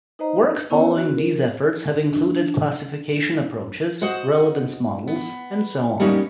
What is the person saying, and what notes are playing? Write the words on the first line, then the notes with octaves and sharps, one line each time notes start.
Work following these efforts have included classification approaches, relevance models and so on.
D#4 B4 C5 D#5 A#5
B4
B3 C#4 E4 C#5 A#5 C#6
F#4
A#4
D4
F#4 C5 D#5 F#5
B3
G3 A#3 B3 C#4 D#4